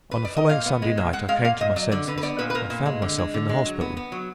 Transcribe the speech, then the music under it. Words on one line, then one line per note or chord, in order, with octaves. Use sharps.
On the following Sunday night I came to my senses, and found myself in the hospital.
B4
D5
D#5
A#2 F5
B3
G#3
A#2
G#3 F#5
G#3 F5
A#2 F5
A#2 D#5
F#3 D5
D3 D5
D3 B4
B4
B3 D5
A#2 B4
B4
A#2 A#4
A#2
G#3
D3
G#3
D3
G#3
F#3
B3
B3
F#3